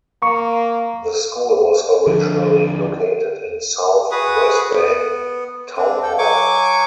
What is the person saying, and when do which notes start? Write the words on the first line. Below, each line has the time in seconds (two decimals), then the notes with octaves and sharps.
The school was originally located in South Brisbane Town Hall.
0.22 A#3 C#6
2.07 D3 F3
4.11 F#4 G#4 B4 D#6
4.76 B3
5.77 C4 D4
6.03 A4 G5
6.18 F#3 G#5 C#6 D6